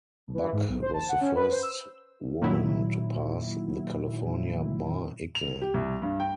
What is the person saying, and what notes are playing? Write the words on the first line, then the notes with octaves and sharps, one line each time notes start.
Buck was the first woman to pass the California Bar exam.
E3
G#2
B1
C5
A5
F#5
C#4
B4
C5
E6
A#2 D#3 F#3 E4
F7
G4
C2
G2
G5